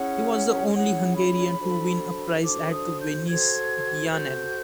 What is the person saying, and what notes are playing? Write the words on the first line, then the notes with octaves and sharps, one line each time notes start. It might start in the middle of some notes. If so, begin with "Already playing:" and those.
He was the only Hungarian to win a prize at the Venice Biennale.
Already playing: C#4 E4 G#4 C#5 F#5
C#4 E4 G#4 C#5 F#5
B5
D4 F#4 A4 C5
D4 F#4 A4 C5 D6
D#6
G6
F#4 A4 C5 G#6
F#4 A4 C5 G6